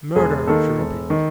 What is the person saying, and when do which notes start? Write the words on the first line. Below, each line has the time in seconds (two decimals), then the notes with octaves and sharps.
"Murder!" she repeated.
0.16 E1 G#4
0.47 D#2 D#3 A4
0.78 E1
1.10 D#3